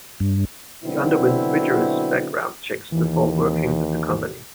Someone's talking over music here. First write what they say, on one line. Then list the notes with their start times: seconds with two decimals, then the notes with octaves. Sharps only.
He underwent rigorous background checks before working at the company.
0.20 G2
0.84 B2 D3 F#3 C4 E4
2.92 D#2 E3